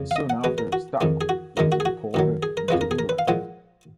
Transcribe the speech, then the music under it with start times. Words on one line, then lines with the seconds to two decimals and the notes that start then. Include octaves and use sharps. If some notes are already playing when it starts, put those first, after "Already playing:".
Soon after stock was imported into England.
Already playing: F2 C#3 G#3
0.11 F5
0.16 D#5
0.30 F#5
0.44 B2 G#3 B4
0.58 A#4
0.73 F#4
1.01 F2 D#3 G#3
1.21 G#4
1.29 F#4
1.57 F#2 D#3 G#3 A#4
1.72 F#4
1.80 G#4
1.85 F#4
2.14 F#2 D#3 F#3
2.43 G#4
2.57 A#4
2.68 F2 F3 G#3 B4
2.81 A#4
2.91 G#4
2.99 A#4
3.09 B4
3.19 F5
3.28 A#2 F3 G#3 F#5